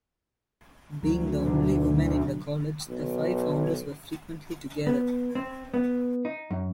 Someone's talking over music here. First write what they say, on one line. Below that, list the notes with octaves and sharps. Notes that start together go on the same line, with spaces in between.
Being the only women in the college, the five founders were frequently together.
D2 F#3
B2 D3 F#3
B1
B3
C4
B3
D#4
F#2